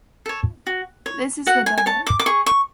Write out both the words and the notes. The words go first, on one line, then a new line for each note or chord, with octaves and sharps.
This is the donut.
A4 C#5
F#4
C#5
F#4 F#5
G#5
G#5
C#5 A5
D6
D6
G#4 C#6
C#6